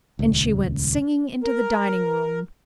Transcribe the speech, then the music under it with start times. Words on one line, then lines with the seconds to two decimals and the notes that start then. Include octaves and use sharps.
And she went singing into the dining-room.
0.19 D#1 C#2
1.44 A#4